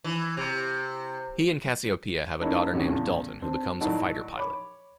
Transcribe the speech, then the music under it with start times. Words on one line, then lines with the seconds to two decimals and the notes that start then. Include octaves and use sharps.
He and Cassiopeia have a daughter named Dalton, who becomes a fighter pilot.
0.04 E3
0.37 C3
2.41 G#3 A#3 C#4 D4 E4
2.73 G#1 C3 E3 C#4 F#4
2.88 E2 A2 C#3
3.42 C4 D4
3.81 A2 D#3 F#3 E4 D5 A5
4.37 C#5 B5 D6